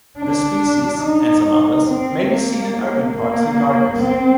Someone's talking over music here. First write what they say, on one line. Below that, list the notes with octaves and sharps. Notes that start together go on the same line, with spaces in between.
This species, and some others, may be seen in urban parks and gardens.
D4
D#4
C4
A#3
A#3
C4